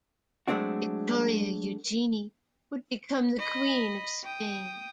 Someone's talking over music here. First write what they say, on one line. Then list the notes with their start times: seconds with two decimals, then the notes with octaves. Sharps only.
Victoria Eugenie would become the queen of Spain.
0.48 F#3 G#3 A3 C4 D4 F#4
3.39 D#5 B5
4.24 G5 D#6